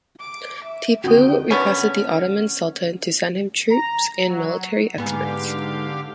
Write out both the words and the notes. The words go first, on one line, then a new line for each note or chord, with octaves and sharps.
Tipu requested the Ottoman sultan to send him troops and military experts.
D6
E5
F2 D3 D#3 F#4 G5 D#6
D3 B3 C#4
A#5
F#3
G#2 D3 B3 G4 F5